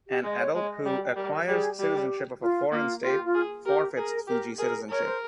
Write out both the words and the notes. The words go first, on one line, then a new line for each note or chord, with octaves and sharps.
An adult who acquires citizenship of a foreign state forfeits Fiji citizenship.
G4
G#3 D#5
C#5
G#3 C#5
D#5
G3
G5
G3 A#4
G3 G#4
G3 G4
F4
A#3 F4
F4 G4
F4
G#4
G4 A#4
G#4 A#4
G4 A#4
G#4 A#4
A#4 C#5
C5